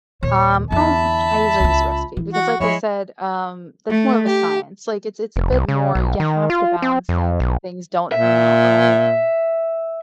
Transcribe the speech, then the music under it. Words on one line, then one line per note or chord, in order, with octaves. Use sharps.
Um, I I usually use a recipe because, like I said, um, that's more of a science. Like, it's it's a bit more you have to balance things or things don't turn out right.
D#2 A#2 C#5
E2 D3 E5 A5 B5
C#2 F4
E3
F#4
F3 G#3 E4 C#5
A3
G4
F1
C2
C#3
B1
D#3
F4
C4
F2
B1
A#2 E5